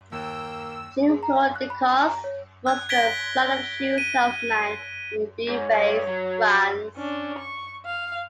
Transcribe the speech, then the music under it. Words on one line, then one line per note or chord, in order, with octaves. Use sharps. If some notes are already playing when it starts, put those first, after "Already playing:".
Jean-Claude Decaux was the son of a shoe salesman in Beauvais, France.
D#2 A#3 G5 E6
G#4
A#5
F5
F#6
B5
G#5
A#5
C#5
F#6 G#6
G#6 A#6 B6 D7 G7
D#7
G#2 C#5
G2
F#3
C#4 D4
C#6
F5